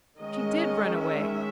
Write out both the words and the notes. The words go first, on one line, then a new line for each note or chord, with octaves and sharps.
She did run away.
D#3 G#3 C#4 D#5
E5